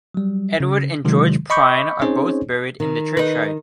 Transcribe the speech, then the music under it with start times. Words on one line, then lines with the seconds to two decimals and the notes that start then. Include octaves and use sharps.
Edward and George Prynne are both buried in the churchyard.
0.14 F#3 G3
0.60 C#3
1.05 C3 D#3 F#3 G#3
1.50 D#5 B5 C#6 D6 G6
2.01 C4 C#4 D#4 G#4 C5 C#5
2.80 D#3
3.17 D#4 B4